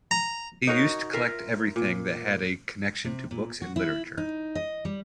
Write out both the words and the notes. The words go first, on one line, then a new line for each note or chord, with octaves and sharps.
He used collect everything that had a connection to books and literature.
A#5
D#4 F#4 A#4 C#5
F4 A#4 E5 F5
A#2
C3
A#2
F#4
E4
D#4
D#5
G3